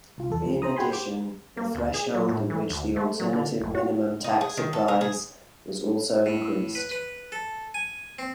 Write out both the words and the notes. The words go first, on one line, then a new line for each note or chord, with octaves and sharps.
In addition, the threshold at which the alternative minimum tax applies was also increased.
C2 F4
E2 A4
C#2 F3
C5 A#5 D#6
F#4 G#4 G5 G#5 B5 C6
G4 C5 G5 D6
A#3
D2
G#4
F#3
A2
E3
D2
A3
F#3
D3
F#1
F#4
D#4
G#4
D#3
A4
A#4
G#4
A2
B4
B4
A4
G#5
C4